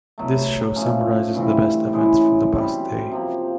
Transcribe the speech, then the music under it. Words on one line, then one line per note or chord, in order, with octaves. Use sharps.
This show summarizes the best events from the past day.
B2 F#3 A3
F3 A3 C#4
G2 E3 A3 C4
A2 E3 G#3 C#4
B2 G3 C4
C3 F3 A#3